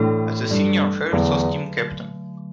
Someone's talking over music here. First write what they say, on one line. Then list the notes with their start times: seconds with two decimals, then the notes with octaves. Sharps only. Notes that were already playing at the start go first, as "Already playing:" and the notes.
As a senior, Harris was team captain.
Already playing: A2 E3 A3 D4 A4
0.51 G2
1.12 E2 D3 F#3 A3